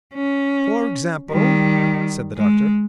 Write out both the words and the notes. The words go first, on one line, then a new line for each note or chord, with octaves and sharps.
"For example?" said the Doctor.
C#4
D#3 G3
G#3